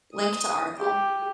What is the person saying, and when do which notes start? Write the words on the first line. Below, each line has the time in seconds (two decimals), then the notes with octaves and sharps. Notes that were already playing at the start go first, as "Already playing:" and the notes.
Link to article.
0.14 D#6
0.77 G4